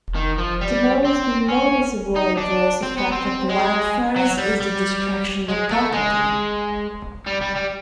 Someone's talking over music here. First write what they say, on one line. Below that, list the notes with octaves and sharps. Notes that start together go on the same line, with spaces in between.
The most noticeable adverse effect of wildfires is the destruction of property.
D#3
F3
G3
C4
C#4
D#4
D4
C4
B3
C4
C4
G#3
F#3
G3
G3
G#3
A3
G#3
G3
G3
G3